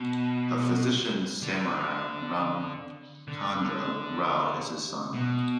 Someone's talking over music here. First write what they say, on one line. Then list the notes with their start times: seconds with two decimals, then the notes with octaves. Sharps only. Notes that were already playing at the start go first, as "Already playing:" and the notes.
The physician Samaram Ramachandra Rao is his son.
Already playing: B2
1.42 D3
3.28 D3
5.14 B2